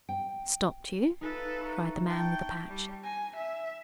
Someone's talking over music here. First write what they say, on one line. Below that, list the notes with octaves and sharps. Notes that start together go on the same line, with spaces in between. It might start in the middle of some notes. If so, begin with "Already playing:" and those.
"Stopped you?" cried the man with the patch.
G5
D#4 F4 A4 B4 E5
A#5 C#6
G5 A5 C#6
G3
G#5 A#6
E5